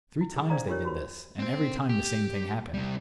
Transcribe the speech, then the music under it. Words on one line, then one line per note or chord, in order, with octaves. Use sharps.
Three times they did this, and every time the same thing happened.
E4
G#4
D4 C5 D5 F5 A#5
D4 D#4 F4 G4 A#4 C#5
F#4 B4 B5
C4 C5
G4
C3 G3